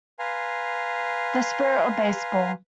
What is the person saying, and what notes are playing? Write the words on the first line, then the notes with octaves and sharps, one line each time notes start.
The Spirit of Baseball.
B4 F5 G#5 A#5 C6